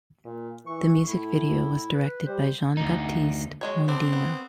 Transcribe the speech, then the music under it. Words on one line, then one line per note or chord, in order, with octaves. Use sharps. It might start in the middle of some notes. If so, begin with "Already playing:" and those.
The music video was directed by Jean-Baptiste Mondino.
A#2
E3 C#6
A2 E4
B4
G3 C5
D2 D#4
F#3 G#3 C#5
B3 C4 D4 D5
B3